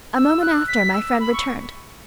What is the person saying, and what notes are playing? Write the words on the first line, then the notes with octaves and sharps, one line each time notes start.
A moment after my friend returned.
E6
F#6
B6
E6
B5
C#6